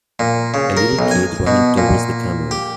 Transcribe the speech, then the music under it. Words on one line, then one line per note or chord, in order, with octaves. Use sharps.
A little kid running towards the camera.
A#2
C#3
A#4
B1
G#5
B2
A#2
G4